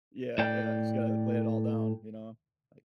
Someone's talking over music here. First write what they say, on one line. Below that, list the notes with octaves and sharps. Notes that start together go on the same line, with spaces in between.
Yeah, yeah, you just gotta lay it all down, you know? Like
A2 D5 G5